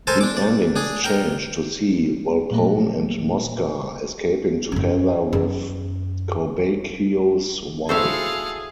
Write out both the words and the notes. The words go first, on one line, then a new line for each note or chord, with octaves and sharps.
The ending is changed to see Volpone and Mosca escaping together with Corbaccio's wife.
A4 A#4 C5 G#5 A5
D4 D6
D5
D4 G#4
A#4 G5
A#2 F3 F#3 A3 A#3
F#2 C#4
F#2
E4 F#4 G#4 A4 C5 F5 F#5